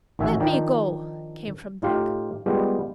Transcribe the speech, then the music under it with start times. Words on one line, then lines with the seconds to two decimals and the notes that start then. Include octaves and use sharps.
"Let me go!" came from Dick.
0.19 A1 D#3 F#4 E5 G#5
0.40 D#3 F3 D4 D#4 G5
1.82 A2 D#4 F4 G4 F5
2.46 G3 G#3 B3 F4 G4